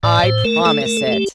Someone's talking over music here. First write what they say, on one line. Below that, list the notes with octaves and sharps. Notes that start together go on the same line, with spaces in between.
"I promise it."
A2 D5
A2 C5
A3 A#4
A3 A4
A#4
A3
A4
A3 G4